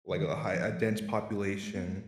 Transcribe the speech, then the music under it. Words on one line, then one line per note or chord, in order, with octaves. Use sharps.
like, a high a dense population,
D3
D#3
D#3
F3
F3
G#3
G3
G#3
B3
G#3